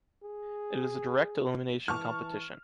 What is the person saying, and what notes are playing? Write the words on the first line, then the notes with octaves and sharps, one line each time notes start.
It is a direct elimination competition.
G#4
E3 A5 C#6 F6